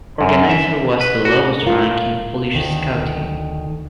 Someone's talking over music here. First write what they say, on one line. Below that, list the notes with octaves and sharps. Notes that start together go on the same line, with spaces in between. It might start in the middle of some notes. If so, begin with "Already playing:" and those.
Organizer was the lowest rank in Polish scouting.
F#2
E5
B4
F#4
F4 A#4
D2 D#3